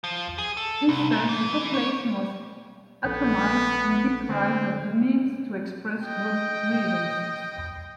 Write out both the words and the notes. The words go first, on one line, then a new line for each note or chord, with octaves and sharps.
Instead, the population was "atomized" and deprived of the means to express group grievances.
F3
G#4
A4
C2
A#2
E3
C#5
A#1 B3 A4
D3 C4
D#5 G5